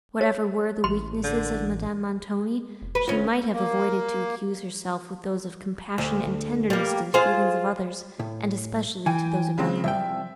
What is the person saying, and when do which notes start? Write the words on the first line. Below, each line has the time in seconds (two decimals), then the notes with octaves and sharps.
Whatever were the weaknesses of Madame Montoni, she might have avoided to accuse herself with those of compassion and tenderness to the feelings of others, and especially to those of Emily.
0.21 C#5
0.84 A1 C6
1.24 D3
2.82 F1
2.95 B4
3.08 D2 C#4 F4
3.52 A#3
5.98 D2
6.70 G3 A#3
7.14 F4 G#4 C5
8.19 A2
9.06 E3 G5 G#5
9.58 C#3 G#3 C4
9.84 C2 F3 E5 G5